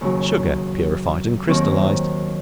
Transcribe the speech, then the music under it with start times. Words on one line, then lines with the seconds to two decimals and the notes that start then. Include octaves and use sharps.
Sugar purified and crystallized.
0.01 D#2 C#3 F#3
1.48 D#2 D#3 F#3 C4